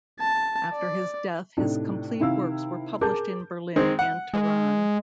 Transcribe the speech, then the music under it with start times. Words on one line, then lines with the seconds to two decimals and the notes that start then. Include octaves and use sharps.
After his death his complete works were published in Berlin and Tehran.
0.20 A5
0.73 D5
1.57 A2 C3 D4 D#4
2.20 C3 D#3 E4 F5 E6
3.01 G#4 A#4 A5 D6 G6
3.76 D#3 G#3 C4
3.99 F#5
4.34 G#3